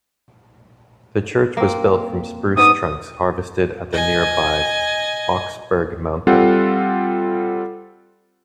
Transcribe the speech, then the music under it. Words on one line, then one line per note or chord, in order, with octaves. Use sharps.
The church was built from spruce trunks harvested at the nearby Bocksberg mountain.
A#3 C4
G#2 B3 D5 D#6
D#5 G#5
G3 C4 F4 A4 F#5